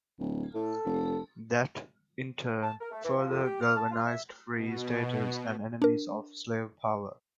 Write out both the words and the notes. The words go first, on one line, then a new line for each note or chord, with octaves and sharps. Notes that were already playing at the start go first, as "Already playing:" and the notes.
That, in turn, further galvanized Free-Staters and enemies of Slave Power.
D1
A2 A4
F1
A5
A#4
A3
E3
F3
F2
G4
F6
A5
F4
E5
B2
D4 A#4